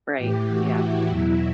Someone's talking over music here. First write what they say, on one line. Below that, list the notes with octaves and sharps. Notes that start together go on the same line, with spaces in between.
Right. Yeah.
A2 E3 G4
F#4
E4
E2 B2 F#3